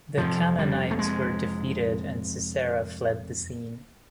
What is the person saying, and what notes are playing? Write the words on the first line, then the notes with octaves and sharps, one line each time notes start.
The Canaanites were defeated and Sisera fled the scene.
F2 C3 F3
G3
A3
G#3